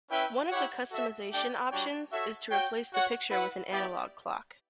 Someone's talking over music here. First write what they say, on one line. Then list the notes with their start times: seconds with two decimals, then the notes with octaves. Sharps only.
One of the customization options is to replace the picture with an analog clock.
0.10 C#4 E4 B4 E5 G5
0.50 E4 G4 C#5 F#5
0.91 F#4 A4 E5
1.30 A3 D4 G4 D5 G5
1.71 G3 D4 F#4 C#5 G5
2.11 F#4 A4 C#5 E5
2.51 F#4 C#5 G5
2.91 F#4 C#5 F#5
3.30 E4 B4 F#5
3.71 B3 E4 G4 D5